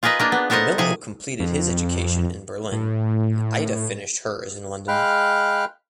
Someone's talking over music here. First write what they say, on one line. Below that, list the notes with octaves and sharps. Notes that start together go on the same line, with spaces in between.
Camillo completed his education in Berlin and Ida finished hers in London.
F4 G#4 A#4 B4 D#5
A#3 D4 F4
B3
B3 A4 A#4 C5 D#5
C3 F3 G#4 G#5
F2
A2
G#3 F5 G5 B5 F6 F#6